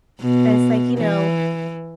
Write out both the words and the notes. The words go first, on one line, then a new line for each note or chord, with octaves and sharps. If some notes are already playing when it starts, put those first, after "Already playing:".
and it's, like you know,
B2
E3